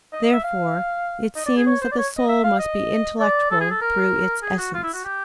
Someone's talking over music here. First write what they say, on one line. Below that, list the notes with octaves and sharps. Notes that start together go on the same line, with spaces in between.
Therefore it seems that the soul must be intellectual through its essence.
D#5
D#5
E5
F5
D#5
D5
G#4
C#5
C5
D5
C#5
D#5
E5
F5
D#5
D5
A4
G#4
A4
A#4
G#4
F#4
F4
E4
F#4
G4